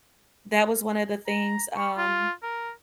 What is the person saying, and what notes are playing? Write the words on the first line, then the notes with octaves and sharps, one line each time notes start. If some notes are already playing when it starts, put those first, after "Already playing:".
that was one of the things, um,
A#5
C#6
F4
A#4